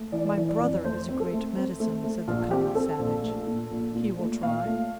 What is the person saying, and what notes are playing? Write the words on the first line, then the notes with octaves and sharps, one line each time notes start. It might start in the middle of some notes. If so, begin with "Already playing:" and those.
"My brother is a great medicine," said the cunning savage; "he will try?"
Already playing: A3
E3 D5
E3
D5
F2
A3 C5
C4
A4
A3
C4
A3
A3
A#1 F4
C4 G4
C4 A4
A#1
A3
A#2
A#1
A#2
A3
A#2 F5
A3